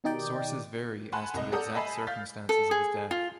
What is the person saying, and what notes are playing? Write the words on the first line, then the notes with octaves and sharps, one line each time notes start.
Sources vary as to the exact circumstances of his death.
B2 D#3 D#4 G4 D5 G5
F#5 G#5 A5 B5 C6 F#6
C2 D#5
A4 D5 F#5 A#5 D#6 G6
D#5 E5 G#5 A5 B5 C7
F5 F6 G6 A6 B6
A4
G#4
F4